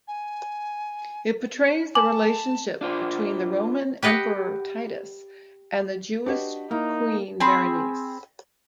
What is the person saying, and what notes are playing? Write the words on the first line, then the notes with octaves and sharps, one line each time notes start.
It portrays the relationship between the Roman Emperor Titus and the Jewish Queen Berenice.
G#5
G#5 A5 D6 F#7
D4 F4 C5
G4 B4 D#5 F#5
D4 F#4 G4 B4 D#5
A#3 D#4 E4
C4 G#4 B5